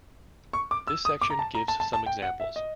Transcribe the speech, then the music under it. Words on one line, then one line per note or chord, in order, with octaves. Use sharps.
This section gives some examples.
C#6
D6
E6
D#6
D6
A#5
A5
A#5
A5
A5
A5
G5
F#5
E5
D#5